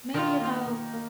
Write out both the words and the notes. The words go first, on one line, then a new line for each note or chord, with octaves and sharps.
maybe about
D#3 F4
A#3 D#4
D#3
A#3